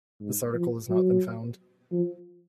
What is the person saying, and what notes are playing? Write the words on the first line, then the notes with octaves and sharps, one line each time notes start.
This article has not been found.
G#2
F3
F#3
F3